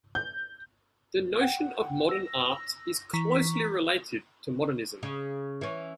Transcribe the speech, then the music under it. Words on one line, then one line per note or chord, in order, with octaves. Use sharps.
The notion of modern art is closely related to modernism.
G6
F#5 G5
E6 A#6
E3 A#5 C#6 B6
C#3
E3 C#4